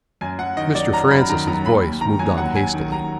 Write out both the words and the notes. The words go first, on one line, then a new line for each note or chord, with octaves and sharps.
Mr. Francis's voice moved on hastily.
F#2 G#5
F#2 F#5
D#3 D#5
F#3 D5
F#2 A#5
F#2 B5
D#3 A#5
F#3 A#5
D#2 B5
D#2
D#3 A#5
F#3 G#5
D#2 F#5
D#2 G#5
D#3
F#3 A#5